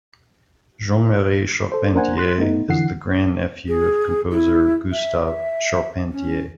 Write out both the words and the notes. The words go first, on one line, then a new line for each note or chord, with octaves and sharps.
Jean-Marie Charpentier is the grand-nephew of composer Gustave Charpentier.
A4 C5
A#3 D4 A#4 C5 F#5 G#5
C6 F#6 B6
A3 B3 D#4
D3 E3 F#5 C7
G#4
E4
E5
E5
C#4